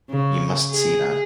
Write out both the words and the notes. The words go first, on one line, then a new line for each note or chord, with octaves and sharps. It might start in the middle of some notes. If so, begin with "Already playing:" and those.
You must see that?
C#3
G#4